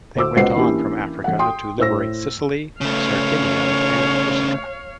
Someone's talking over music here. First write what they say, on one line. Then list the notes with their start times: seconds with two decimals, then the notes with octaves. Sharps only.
They went on from Africa to liberate Sicily, Sardinia, and Corsica.
0.15 D2 C5 D6 E6
0.36 C#2 B2 B4 C5 F#5 C7
0.56 E3 A#3 C#4 D4 E4 G4
1.24 A1 F#5
1.39 G5 C6 D#6
1.79 A2 C5 E6 A#6
2.81 C#3 A3 C#5 F5